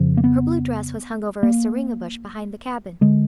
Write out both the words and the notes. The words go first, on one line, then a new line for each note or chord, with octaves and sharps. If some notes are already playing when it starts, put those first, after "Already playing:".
Her blue dress was hung over a syringa bush behind the cabin.
Already playing: F2 C#3 F3
A#3
B3
A#3
D3 G#3